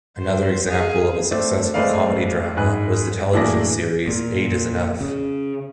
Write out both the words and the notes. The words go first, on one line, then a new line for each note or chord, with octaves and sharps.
Another example of a successful comedy-drama was the television series "Eight Is Enough".
F#3 C5
G#4 F5
A3 C4 D4
G#3 A3 C4 B4 D5 F5
G#2 G#4 B4 F#6
A2 E3 A#3 D4 G#4 A#6
A#2
C#3